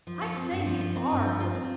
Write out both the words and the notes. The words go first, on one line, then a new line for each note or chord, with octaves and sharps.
'I say, you ARE good.'
F3
F4
C4
G2
F3
F4
C4
G2
F3
F4
C4